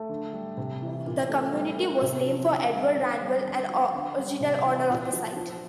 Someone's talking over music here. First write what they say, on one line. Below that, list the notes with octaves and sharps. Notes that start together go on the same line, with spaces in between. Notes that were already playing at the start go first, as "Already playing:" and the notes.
The community was named for Edward Randall, an original owner of the site.
Already playing: A3
D3
G3
C3
E3
A#2
A3
G3
A#3
C3
F3
D3
G3
D3
G3
D3
F3
D3
G3
C3
E3
A#2
F3
F3